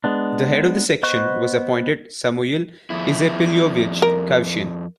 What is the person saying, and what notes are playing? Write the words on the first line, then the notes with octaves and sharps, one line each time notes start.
The head of the section was appointed Samuyil Izepilyovych Khavchyn.
G#3 B3 D4
B3 C5 D#5 C#6 F#6
F2 E4
A#4